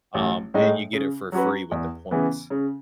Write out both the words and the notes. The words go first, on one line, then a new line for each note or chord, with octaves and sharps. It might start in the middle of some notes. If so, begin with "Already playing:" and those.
um, and you get it for free with the points.
A1
A2 G#3 D#4
C#3
F#3 C#4 F#4 B4
E2
C#3 E3 B3
C#3